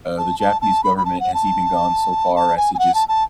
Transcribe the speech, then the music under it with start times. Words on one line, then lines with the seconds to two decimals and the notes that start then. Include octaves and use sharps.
uh, the Japanese government has even gone so far as to just
0.18 A5
0.39 A5
0.61 A5
0.84 B5
0.97 B5
1.05 A5
1.20 F#5
1.34 A5
2.36 A5
2.57 G#5
2.75 G#5
2.79 F#5
2.95 A5
3.08 A5